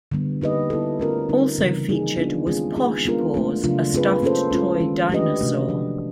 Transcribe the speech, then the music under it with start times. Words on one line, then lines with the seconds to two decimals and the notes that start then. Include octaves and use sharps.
Also featured was Posh Paws, a stuffed toy dinosaur.
0.12 D3 G3 B3
0.41 A#3 D#4 G4 B4 D#5
0.70 B3 E4 A4
1.00 A3 C#4 F4 A#4
1.29 D3 G3 C4 D#4
1.58 C#3 E3 G3
1.88 F3 A#3 D#4 G#4
2.17 B3 D4 F4
2.47 D#3 G#3 C4 F4 G#4
2.76 B3 D#4 G#4
3.05 G#3 B3 D4 F4 A#4
3.34 F3 A3 D4 F4
3.64 C#3 F#3 A3 D4 F4
3.93 A3 C4 F4 G#4 B4
4.22 A#3 C#4 F4 A4 C5
4.51 G#3 C#4 F4 A4
4.80 D#3 G#3 C#4
5.10 A3 D4 G4 B4 D#5
5.39 C3 E3 A3 D4 F#4
5.69 F3 A3 D4